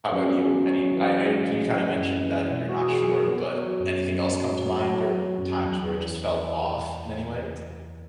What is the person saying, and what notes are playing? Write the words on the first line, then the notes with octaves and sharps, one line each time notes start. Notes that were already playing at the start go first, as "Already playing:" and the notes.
How 'bout you? Any I I heard you kinda mentioned that you're not sure, but anything else come to mind, or times where it just felt off in any way?
F#3 C#4
B3
F#3 C#4
F#3
E3
G#3
G#3
E3
F#2
E3
B2
F#4
B2
G#4
F#3
G#4
F#3 B3
F#3
F#2
F#2
F#3
F#3
F#3
F#3
F#2
E2
E3